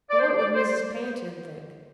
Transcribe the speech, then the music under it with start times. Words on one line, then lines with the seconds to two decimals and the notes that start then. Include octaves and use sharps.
And what would Mrs. Pantin think?
0.10 D5
0.19 C5
0.37 D5
0.55 C5